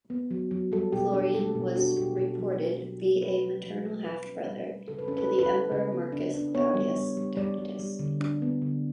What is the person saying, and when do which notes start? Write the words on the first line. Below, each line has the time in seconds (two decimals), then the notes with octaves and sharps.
Florian was reported be a maternal half-brother to the Emperor Marcus Claudius Tacitus.
0.10 B3
0.31 F#3
0.51 F#3
0.72 G3 A4
0.92 B2 G4
1.13 D4 G4
1.34 G3 A4
1.55 B2
1.76 D4 F#4
1.96 B2 G4
2.17 B2 A4
2.38 F#3
2.59 F#3
2.80 F#3
3.01 F#3
3.21 C#4 B4
3.42 F#3
3.64 F#3
3.84 F#3
4.04 G3 B4
4.26 C#4
4.46 G3
4.67 G3
4.88 C#3 A4
4.99 B4
5.08 C#4 A4
5.18 B4
5.29 E4 A4
5.39 B4
5.49 E4 A4
5.71 C#3 B4
5.92 B3
6.12 D4
6.34 D4
6.55 B3 C#5
6.75 G3
6.96 G3
7.17 G3
7.37 G3 D5
7.58 G3
7.79 G3
7.99 D3
8.21 D4
8.42 B3
8.62 D3